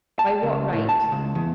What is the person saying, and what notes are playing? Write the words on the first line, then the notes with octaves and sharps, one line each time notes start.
By what right?
A5
C#2
A2
A5
C#2
E2